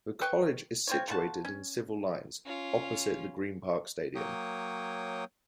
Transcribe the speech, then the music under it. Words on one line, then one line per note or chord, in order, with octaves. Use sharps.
The college is situated in Civil Lines, opposite the Green Park Stadium.
B4 G5 C#6
C4 F4 C#5
A3 F4 F#4 A5
C#4
C#4 F4
F#3 A#3 C#5 G5 D#6